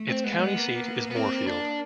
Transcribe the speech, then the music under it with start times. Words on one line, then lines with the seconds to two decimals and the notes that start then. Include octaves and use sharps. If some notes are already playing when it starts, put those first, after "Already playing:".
Its county seat is Moorefield.
Already playing: A3
0.09 C4
0.24 G#3 B3
0.39 B3
0.55 A#3
1.11 B3
1.16 C4
1.47 D4